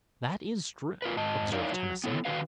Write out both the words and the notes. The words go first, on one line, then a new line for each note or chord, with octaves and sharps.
"That is true," observed Tennyson.
F4 A#4 B4
G#2 D#5 A5
D#4 E4 A#4 C#5 D5 F5
F#3
B3 C4 E4 A4 C#5
D3 D#3 D4 F#4 B4 F5